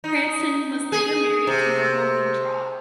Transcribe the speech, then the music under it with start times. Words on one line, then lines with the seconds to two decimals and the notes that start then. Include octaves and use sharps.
Cranston was later married to Norma Weintraub.
0.04 D#4
0.92 G#4
1.47 C3